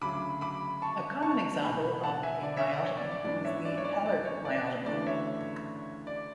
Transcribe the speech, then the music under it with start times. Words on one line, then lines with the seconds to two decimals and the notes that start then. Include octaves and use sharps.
A common example of a myotomy is the Heller myotomy.
0.01 D2 C#3 F#3 B5 D6
0.41 B5 D6
0.82 A5 C#6
1.22 A5 C#6
1.62 F#1 E2 B2 G#5 B5
2.03 F#5 A5
2.23 E5 G#5
2.43 D5
2.57 C#5 E5
2.71 D5
2.84 C#5
2.97 D5
3.11 D5
3.24 G#1 F#2 E3 B3 D4 D5
3.45 C#5 E5
3.65 D5
3.77 C#5
3.84 D5
4.06 D5
4.25 C#5
4.45 D5
4.86 D2 C#3 E3 A3 D4 D5
5.06 C#5 E5
6.07 D5